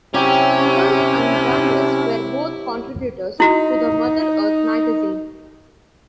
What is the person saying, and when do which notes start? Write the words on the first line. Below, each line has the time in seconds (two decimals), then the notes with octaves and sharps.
Durant and Brandes were both contributors to the "Mother Earth" magazine.
0.14 C3 F#3 C#4 E4 G4
3.40 D#4 E4 F#4